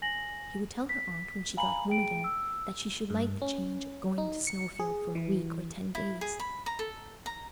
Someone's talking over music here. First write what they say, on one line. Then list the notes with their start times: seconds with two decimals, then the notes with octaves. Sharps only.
She would tell her aunt when she got home again that she should like the change of going to Snowfield for a week or ten days.
0.02 G#5 A#6 F#7
0.89 B6
1.57 F5 G#5 A#5 B5 F#7
1.88 G#4 G5 D7
2.24 E6
3.10 G2
3.42 C#4
4.18 D#4
4.47 C#7
4.80 G#4
5.15 E3
5.95 E4
6.21 G#4
6.40 B5
6.66 A#5
6.79 A4
7.26 A#5